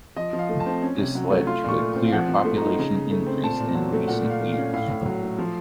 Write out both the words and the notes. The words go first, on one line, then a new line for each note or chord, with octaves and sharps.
This led to a clear population increase in recent years.
F3 D#5
F3
F5
A3
A5
C4
C#4
C3
F#3
A3
F4 C6
A#2 C#6
A3
C4
F5
F3 F#5
F3
C6
A3
A#5
D#4
C#3 A#5
C#3
A3
C4
A#2 A5
A#2
F#3
A3
A#2 F#5
A#2
F5
A3
F5
C#4
A2 F5
A2
F#3
A3
F3